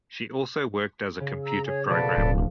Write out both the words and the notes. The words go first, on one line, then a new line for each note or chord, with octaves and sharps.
She also worked as a computer programmer.
C#3
A#5 E6
G#4 C#5
B2 F3 A3 A4 B4 D5
D1